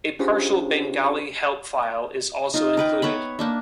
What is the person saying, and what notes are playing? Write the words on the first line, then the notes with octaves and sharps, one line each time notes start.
A partial Bengali help file is also included.
C#4 D4 F4 G4 G#4 C5
D#4 F4
A#4 B4 G5
B3 C#5 E5 B5
A#3 D4 E5